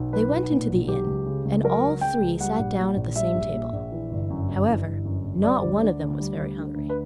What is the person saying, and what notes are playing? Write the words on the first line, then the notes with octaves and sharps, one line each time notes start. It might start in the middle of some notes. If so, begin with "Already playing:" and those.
They went into the Inn and all three sat down at the same table. However, not one of them was very hungry.
Already playing: B1
F#3 B4
B1
A#2
B1
F#3 G4
C#2
C#3
C#2
F#3 A#4
C#2
C#3 G5
C#2
G3 F#5
A#1
A#2
A#1
G3 E5
A#1
A#2
A#1
E3
G1
F#2
G1
E3
G1
F#2
G1
G3 D5
D2
D3
D2
G3
D2
D3
D2
B4